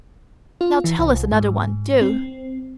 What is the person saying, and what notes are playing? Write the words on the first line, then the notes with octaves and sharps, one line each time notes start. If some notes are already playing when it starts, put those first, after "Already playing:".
Now tell us another one, do.
F4
E3
C2
G#2
C4